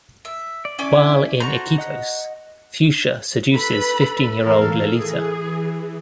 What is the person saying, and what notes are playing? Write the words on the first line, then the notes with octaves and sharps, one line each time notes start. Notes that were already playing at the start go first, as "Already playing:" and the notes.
While in Iquitos, Fushia seduces fifteen-year-old Lalita.
E5
D5
C#4 E4 D5
F#4 A4 C5 A#5 C#6
D#5 F#5 F#6
A4 B4 B5
E2 A2 E3 A#4 F5
E3 G#4